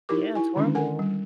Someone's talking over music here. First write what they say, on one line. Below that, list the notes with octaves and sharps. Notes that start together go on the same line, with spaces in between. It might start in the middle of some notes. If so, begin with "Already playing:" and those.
Yeah, it's horrible.
D#4 E4 G4 A#4 D6
E4 G#5
D3 D#3 G#3 C#4 D4
A4 A#4 F#5 G#5
G3